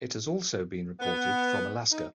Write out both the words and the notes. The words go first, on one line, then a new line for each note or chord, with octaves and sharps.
It has also been reported from Alaska.
B3
D#4